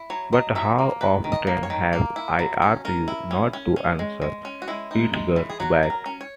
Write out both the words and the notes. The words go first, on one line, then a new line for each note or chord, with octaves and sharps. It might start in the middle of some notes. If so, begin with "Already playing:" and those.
But how often have I asked you not to answer Edgar back?
Already playing: E4
F#3 C#5
F#3 D#5
F#3 E5
A#3
D#3 B4
D#3
D#5
A#3
C#5
D#3
A#3
E4
F#3
C#4
C#4 A#4
E4
C#4
C#4
C#4
G#3
G#3
C#4
F#4
G#3 E4
D#4
G#3
E3
G#4
F#3 F#4
F#3
A#4
C#4
C#5